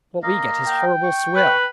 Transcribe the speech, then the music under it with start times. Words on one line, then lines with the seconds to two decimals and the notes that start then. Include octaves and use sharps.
What we get is horrible swill!
0.23 A#3 D#5 F5
0.67 G5
1.03 C#6
1.36 B4